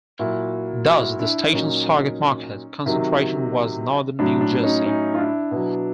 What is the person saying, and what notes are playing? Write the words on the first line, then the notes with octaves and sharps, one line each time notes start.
Thus the station's target market concentration was northern New Jersey.
A#2 F#3 E4 F#4
E4 F#4
D4 E4
A#2 F#3 C#4 D#4
C3 D#3 F#3
A2 F#3 D4
D4
C#4 D#4
C#4 D#4
F4
D4 E4
B2 F#3